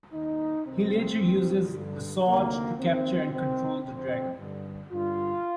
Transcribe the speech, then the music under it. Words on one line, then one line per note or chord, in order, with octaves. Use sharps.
He later uses the sword to capture and control the dragon.
D#2 D#3 D#4
C2 C3 D#3 C4
D#2 D#3
G2 D3
D2 C3 D#3 A#3
D#2 D#3 C4
C2 C3 D#3 C4
F2 D3 C4
G2 D3
G2 D3 F4